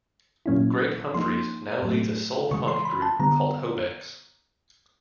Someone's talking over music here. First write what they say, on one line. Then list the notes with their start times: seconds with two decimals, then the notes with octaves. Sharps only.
Greg Humphreys now leads a soul-funk group called Hobex.
0.46 A#2 F#3 A#3 C#4 E4
1.14 F3 A#3 D#4 C6
1.83 A2 F#3 A3
2.51 C#3 E3 G#3 C#6
2.68 C6
2.85 B5
3.02 A5
3.19 D3 G3 B3 A#5